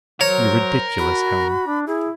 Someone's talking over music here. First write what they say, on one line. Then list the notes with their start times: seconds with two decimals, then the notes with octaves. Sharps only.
"You're ridiculous, Helen."
0.21 F#3 A#4 C5 C#5
0.98 F#4 B5
1.67 D4
1.87 E4 G#4